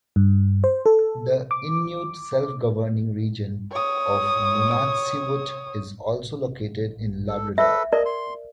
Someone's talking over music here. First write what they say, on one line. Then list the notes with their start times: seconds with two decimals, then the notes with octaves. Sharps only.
The Inuit self-governing region of Nunatsiavut is also located in Labrador.
0.16 G2
0.64 C5
0.86 A4
1.51 D6
3.71 C#5 D#6
7.29 A4
7.58 A4 B4 E5
7.93 A#4 D5 D#5
8.06 C6